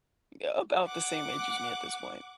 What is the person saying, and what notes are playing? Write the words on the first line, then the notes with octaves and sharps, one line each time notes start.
a about the same age as me at this point.
F#5 D6